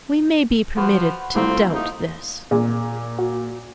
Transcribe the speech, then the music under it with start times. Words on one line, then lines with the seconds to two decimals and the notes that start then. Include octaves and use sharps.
We may be permitted to doubt this.
0.77 F3 F#4 B4 F#5
1.35 C2 A2 F3 A3 A#3 C4
1.75 D#4
2.51 A#2 G#4
3.19 F#4